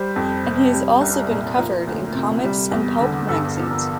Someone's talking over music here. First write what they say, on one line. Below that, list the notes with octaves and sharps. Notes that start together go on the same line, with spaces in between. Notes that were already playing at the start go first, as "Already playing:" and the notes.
And he has also been covered in comics and pulp magazines.
Already playing: G3 C5
F2
C3
G3
C2
A#2
F3 A#4
D2
C3
G3
E2
D3
G2 A4
F3
A#4